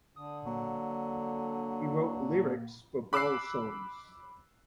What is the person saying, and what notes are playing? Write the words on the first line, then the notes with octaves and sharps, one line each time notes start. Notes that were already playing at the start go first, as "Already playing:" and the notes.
He wrote lyrics for Baul songs.
D3 D#6
F#3 A#3
B5 D6 E6 F#6 C7